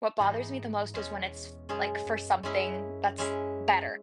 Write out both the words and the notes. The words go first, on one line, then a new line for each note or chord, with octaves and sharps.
what bothers me the most is when it's f like, for something that's better.
G#2 E3 B3 D#4 G#4
E2 B2 G#3 C#4 G#4
F#2 B2 G#3 C#4 G#4
F#2
F#2 G#3 C#4 E4 G#4
G#3 C#4 E4 G#4